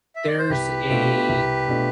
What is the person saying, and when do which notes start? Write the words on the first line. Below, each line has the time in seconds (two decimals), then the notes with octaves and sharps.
there's a
0.16 E5
0.27 D5
0.39 C5
0.50 C2 G4 B4
0.90 B2 A3 D4 F4
1.29 C2
1.68 B2 A3 D4 F4